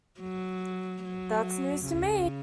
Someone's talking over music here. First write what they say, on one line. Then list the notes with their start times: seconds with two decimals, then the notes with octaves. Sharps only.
That's news to me.
0.21 F#3
1.04 F#3
1.86 C#3